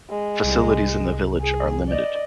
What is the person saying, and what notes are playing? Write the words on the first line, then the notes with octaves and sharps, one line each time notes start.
Facilities in the village are limited.
G#3
C2
G#4
D5 D#5